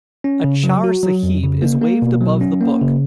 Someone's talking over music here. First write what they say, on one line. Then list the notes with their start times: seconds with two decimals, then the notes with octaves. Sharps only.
A "chaur sahib" is waved above the book.
0.24 C#4
0.44 C#3
0.64 F#3
0.84 F#4
1.03 F#3
1.23 F2
1.43 C#3
1.62 A#3
1.82 A#3
2.02 B2
2.21 F#3
2.41 C#4
2.61 A#3
2.81 C#3